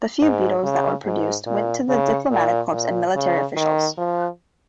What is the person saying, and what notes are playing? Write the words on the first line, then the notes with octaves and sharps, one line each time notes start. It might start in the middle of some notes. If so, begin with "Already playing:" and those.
The few Beetles that were produced went to the diplomatic corps and military officials.
G#2
C#3
G#2
A#2
C#3
A#2
A#2
C#3
D#3
F3